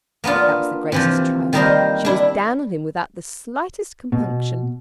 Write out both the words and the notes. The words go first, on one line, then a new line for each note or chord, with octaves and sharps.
I think that was the greatest triumph. She was down on him without the slightest compunction.
A#3 B3 D4 F4
C3 E3 F3
D#3 G3 A#3 D#4 A#4 C5
D4 E4
B2